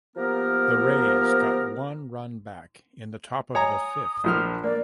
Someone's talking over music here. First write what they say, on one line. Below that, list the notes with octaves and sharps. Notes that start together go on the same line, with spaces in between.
The Rays got one run back in the top of the fifth.
F3 A#3 B3 G4 A#4
C#5 G#5 A#5 D#6
A#1 F3 F6
A#3 D5